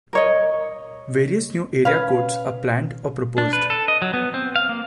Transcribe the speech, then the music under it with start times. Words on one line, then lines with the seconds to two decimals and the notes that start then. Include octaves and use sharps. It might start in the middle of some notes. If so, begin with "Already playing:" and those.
Various new area codes are planned or proposed.
0.13 A#4 C#5 D#5
1.85 C#4 B4 F5
3.38 D4
3.53 B4
3.70 A4
3.88 D#5
4.02 F#3
4.14 B3
4.34 C4
4.56 F5
4.69 A#3